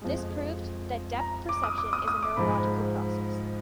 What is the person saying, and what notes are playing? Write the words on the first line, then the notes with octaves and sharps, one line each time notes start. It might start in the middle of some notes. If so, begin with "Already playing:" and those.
This proved that depth perception is a neurological process.
F2 F3 G#3
A#5
D6
D#6
D6
D#6
D#6
D6
G#2 F3 G#3 B5